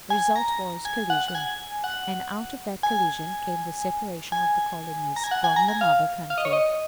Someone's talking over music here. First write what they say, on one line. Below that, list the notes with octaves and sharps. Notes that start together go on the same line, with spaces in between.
The result was, collision; and out of that collision came the separation of the colonies from the mother-country.
G#5
A#5
G#5
F#5
F#5
G#5
F#5
G#5
G#5
A#5
G#5
F#5
G#5
A#5
G#5
F5
F5
D#5
C#5
D#5